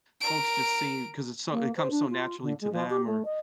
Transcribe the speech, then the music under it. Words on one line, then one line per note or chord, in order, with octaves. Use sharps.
folks just see, 'cause it's so it comes so naturally to them or
A#4 D7
A#3
C5
D4
F4
D3
G#3
F3
G4
A3
D#5